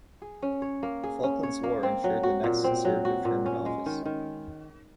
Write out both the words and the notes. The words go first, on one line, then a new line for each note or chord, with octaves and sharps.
The Falklands War ensured the next Conservative term in office.
G#4
C#4
C#5
A#3
G#4
C#4
C#5
A#3
C4
F#3
F#4
A#2
C4
F#3
F#4
A#2
C#4
G#3
D#3
D#3